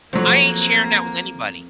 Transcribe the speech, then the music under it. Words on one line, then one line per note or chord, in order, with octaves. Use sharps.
I ain't sharing that with anybody.
F2 F#3 A#3 C4